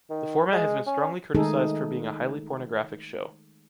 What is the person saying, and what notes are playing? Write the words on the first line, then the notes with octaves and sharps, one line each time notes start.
The format has been strongly criticized for being a highly pornographic show.
D#3
G#3
C#4
D#3 G#3 A3 D#4 G#4 A4